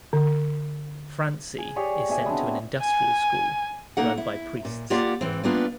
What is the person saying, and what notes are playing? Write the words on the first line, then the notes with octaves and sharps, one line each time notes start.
Francie is sent to an 'industrial school' run by priests.
D3
G#4
G4 G#4 C#5 D5
B2 G#4 E5 G#5
B3 C4 D4
G#5
A#3 D#4 A4 F#5
E4
A#2
A#3 F4 G4 D5 F#5
G#2 E3 C4
G3 A#3 B3 D4 F4